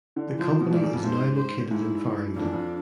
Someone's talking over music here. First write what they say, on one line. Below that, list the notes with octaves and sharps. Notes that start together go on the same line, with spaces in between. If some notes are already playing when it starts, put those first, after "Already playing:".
The company is now located in Farringdon.
D3
E3
F3 C5
F3
B2
G#2 D5
E2
F2
G#2 C5
C5
G#2 E4
F2 D4
E2
F2